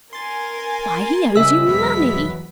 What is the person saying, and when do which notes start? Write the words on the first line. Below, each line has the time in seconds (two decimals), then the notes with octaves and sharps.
Why, he owes you money!'
0.13 A#4 G#5 C6 A6
1.36 C#3 G3 D#5 E5 E6
1.67 E2 B2 F#3 G#3 B4 B6